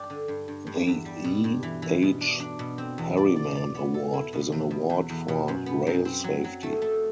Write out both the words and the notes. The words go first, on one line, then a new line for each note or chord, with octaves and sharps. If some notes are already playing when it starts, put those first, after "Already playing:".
The E. H. Harriman Award is an award for rail safety.
Already playing: G2 D4 G4
D3
G2
G2
G2
E2
G3
B2
G2
E3
E3
B2
D4
D4
B2
C4
E2
D5
D5
D5
B3
A4
E4
B2
E2
B2
E2
E2
B2
F#2
B3
F#2
C4
F#3
F#3
A3
A3